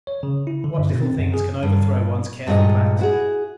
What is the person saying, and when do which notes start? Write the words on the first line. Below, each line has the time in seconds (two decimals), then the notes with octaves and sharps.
What little things can overthrow one's careful plans!
0.07 C#5
0.23 C#3
0.47 E4
0.64 D3
0.78 G2
0.90 B2
1.03 C4
1.18 F#2
1.34 G#4
1.63 G2 A#3
2.47 G2 A#2 G#3 G#4 D#5
2.99 E4 F#4 G#4